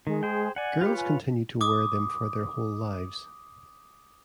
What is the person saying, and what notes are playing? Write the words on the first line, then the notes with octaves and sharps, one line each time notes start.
Girls continued to wear them for their whole lives.
D#3 G#3
G#4 C5 G5
D5 F#5 G#5
F4 G4 B4 C#5
G#5
D6 D#6